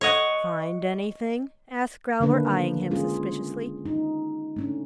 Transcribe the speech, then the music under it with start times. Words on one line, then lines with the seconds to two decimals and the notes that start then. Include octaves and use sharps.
"Find anything?" asked Growler, eying him suspiciously.
0.01 C#5 D#5 F#5
2.20 D3 D#3 A#3 B3 D4 B4
2.90 G#3 C#4 F4 G#4
3.86 D#4
4.56 A3 C#4 D4